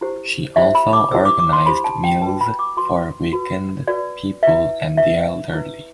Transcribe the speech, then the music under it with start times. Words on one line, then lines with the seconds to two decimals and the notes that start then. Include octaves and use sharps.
She also organized meals for weakened people and the elderly.
0.01 E4 G4 C5
0.56 E4 G4 C5 E5
0.75 B5
0.93 D6
1.11 E4 G4 C5 E6
1.25 D6
1.39 D6
1.53 C6
1.66 E4 G4 C5 B5
1.84 A5
2.04 G5
2.22 F#4 B4 A5
2.41 B5
2.59 D6
2.77 F#4 B4 C6
3.32 F#4 B4
3.88 F#4 B4 D5
4.43 E4 B4 E5
4.97 E4 B4 E5
5.53 E4 B4